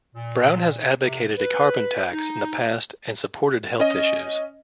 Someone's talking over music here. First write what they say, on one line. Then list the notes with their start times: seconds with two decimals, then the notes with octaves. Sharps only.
Brown has advocated a carbon tax in the past and supported health issues.
0.15 A#2
1.03 C3
1.38 B4
2.13 D#4
3.80 C#4 D#5